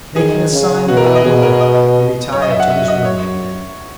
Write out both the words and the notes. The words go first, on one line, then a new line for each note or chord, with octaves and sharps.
And making a sign to Manoel, he retired to his room with him.
D#3 G#4
C#3
B2 F#4
A#4
B4
D#5
B2 G#4
A#4
D#5
F#2 C#5
D#5
E5
F#5
E5
D#5
C#5